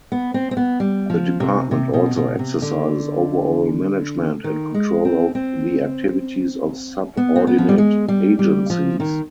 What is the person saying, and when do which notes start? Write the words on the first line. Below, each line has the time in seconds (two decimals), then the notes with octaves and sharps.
The department also exercises overall management and control of the activities of subordinate agencies.
0.12 B3
0.34 C4
0.51 C4
0.57 B3
0.80 G3
1.10 F3
1.40 C3
1.71 C3
1.93 B2
2.16 B2
2.39 C3
2.62 D3
4.44 D#3
4.74 G#3
5.05 C4
5.35 C4
7.17 B3
7.36 C4
7.47 B3
7.58 F3
7.69 G3
7.78 G#3
8.08 G3
8.39 G3
8.70 F3
9.00 D#3